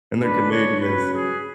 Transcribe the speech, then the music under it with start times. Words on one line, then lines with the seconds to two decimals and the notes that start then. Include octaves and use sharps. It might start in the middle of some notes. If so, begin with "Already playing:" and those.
and they're Canadians.
0.21 D2 C#3 G#3 D4 B4
0.51 C#5
0.81 C#3 F#3 C#4 B4
1.12 G#4